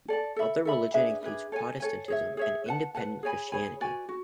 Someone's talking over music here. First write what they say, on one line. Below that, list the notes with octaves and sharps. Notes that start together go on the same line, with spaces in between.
Other religion includes Protestantism and Independent Christianity.
A4 D5 A5
A4 E5 B5
A4 E5 B5
D4 G#4 B4 E5
D4 G#4 B4 E5
A4 C#5 G#5
A4 C#5 G#5
G#4 C#5 E5
G#4 C#5 E5
B4 F#5 A5
B4 F#5 A5
G#4 C#5 G#5 B5
G#4 C#5 G#5 B5
F#4 B4 D5 G#5
F#4